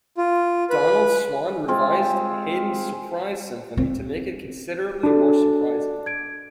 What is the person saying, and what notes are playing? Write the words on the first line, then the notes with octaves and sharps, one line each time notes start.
Donald Swann revised Haydn's "Surprise" Symphony to make it considerably more surprising.
F4
B4
G#3 C4 F4 G#4
C4
D4 F#4 A4
G#6 D7